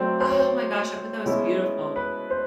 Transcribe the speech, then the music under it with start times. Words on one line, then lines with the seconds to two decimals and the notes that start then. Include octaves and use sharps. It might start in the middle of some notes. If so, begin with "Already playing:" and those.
Oh my gosh, I bet that was beautiful.
Already playing: F#3 A3 C4 D5
0.21 C5
0.30 C#5
0.39 C5
1.25 B2 G#3 C#4 E4
1.96 B4
2.30 C5